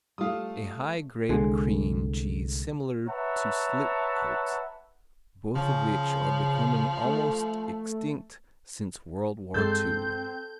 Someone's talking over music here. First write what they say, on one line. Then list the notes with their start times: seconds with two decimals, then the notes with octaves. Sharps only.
A high-grade cream cheese similar to Slipcote, both of which are becoming almost extinct since World War II.
0.18 G3 A3 F4 D#6
1.29 C2 D3 G#3
3.09 B4 C#5 E5 F#5 A5 A#5
5.56 C#3 F3
7.04 A3
9.54 G2 G#3 C4 A4 C6 G6